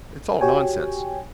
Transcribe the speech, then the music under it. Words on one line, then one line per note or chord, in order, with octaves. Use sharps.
It's all nonsense...
F#4 G4 C#5 G5 G#5